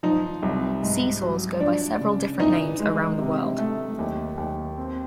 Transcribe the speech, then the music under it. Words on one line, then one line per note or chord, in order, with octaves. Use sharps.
Seesaws go by several different names around the world.
F3 D#4
C2
G#2
F#3
F3 D4
C#3
E3 D#4
G#3
C3
A3
D#2
D#2
C4